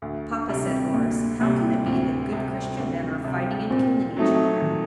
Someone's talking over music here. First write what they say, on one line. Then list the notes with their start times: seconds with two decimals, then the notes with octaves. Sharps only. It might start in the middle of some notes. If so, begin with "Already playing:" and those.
"Papa," said Horace, "how can it be that good Christian men are fighting and killing each other?"
0.02 D2
0.32 D4
0.48 C3 G3
0.64 C4
0.88 C4
0.94 D2 A#3
1.41 C3 G3 A#3
1.86 D2 C4
2.33 C3 G3
2.78 D2
3.24 C3 G3
3.70 A#2 C4
4.17 F#3 A3 C4 D#4
4.62 A#2 D#3